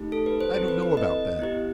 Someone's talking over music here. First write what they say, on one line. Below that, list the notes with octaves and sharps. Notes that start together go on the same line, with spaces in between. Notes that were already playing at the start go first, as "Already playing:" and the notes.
"I don't know about that."
Already playing: A3 D#4 G4
A4
B4
C5
C4 E4 A4 C5
B4
B4
D#5
B3 E4 G4